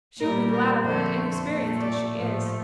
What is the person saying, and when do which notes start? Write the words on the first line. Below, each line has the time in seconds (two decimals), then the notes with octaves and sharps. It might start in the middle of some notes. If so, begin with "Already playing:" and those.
She will be glad of that, inexperienced as she is.
0.19 A#2 G3 A#4
0.52 A#4
0.83 F2 D3 A3 C5
1.48 A#2 A3
1.80 D5
2.13 A2 F3 A3